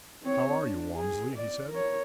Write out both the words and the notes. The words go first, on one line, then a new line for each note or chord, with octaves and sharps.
"How are you, Walmsley?" he said.
C4 C#5
D4
G#4
D5
A#4 C#5